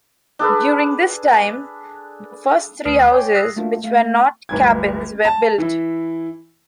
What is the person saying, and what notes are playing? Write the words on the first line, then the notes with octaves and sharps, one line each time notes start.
During this time, the first three houses which were not cabins were built.
D4 G#4 A4 B4
D2 B4 D#6 F6 C7
C#5 G5 G#5 C6 D6
D#6 E6 F#6 A#6 C7
A3 A#3 D4 F4 F#4
A3 F5
D1 G1 G#6
A5
E3 E4